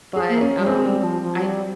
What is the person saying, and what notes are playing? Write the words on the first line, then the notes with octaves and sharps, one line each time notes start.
but, um, I d
G#4
A#3
C#4
G3
G#3 C4
G3
F3
F3
G3